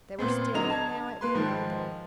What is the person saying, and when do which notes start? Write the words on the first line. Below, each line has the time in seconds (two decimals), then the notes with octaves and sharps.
They were staying now at Grenoble.
0.19 A#2 B3 C4
0.54 D3 F#3 D#5 A#5 F7
0.70 A5 G#6
1.21 A#3 B4 C6
1.34 G#2 D#3 F3